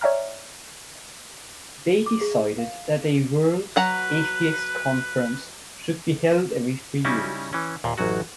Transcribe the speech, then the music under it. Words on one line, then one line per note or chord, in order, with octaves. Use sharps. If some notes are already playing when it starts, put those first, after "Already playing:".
They decided that a World Atheist Conference should be held every three years.
C#5 D5 E5 G5 A#5 F6
D6
G#4
F5
F#3 B4 F#5 A#5
C#3 G3 C#4 D#4 E4
E3 C#4
D#2 A#2
A1 F#2 F#3 F#4